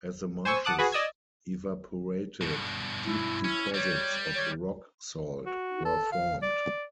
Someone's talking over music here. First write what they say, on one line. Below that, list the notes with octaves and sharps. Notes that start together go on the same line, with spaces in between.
As the marshes evaporated, deep deposits of rock salt were formed.
C5 G#5 C#6 E6
F#5 A5 D6 D#6 F#6
F#4 G#4 B4
D5 D#5 E6 G#6
G2 B2
E4
C#4
G3 C#5
C#5
F#4
A4
F5
D5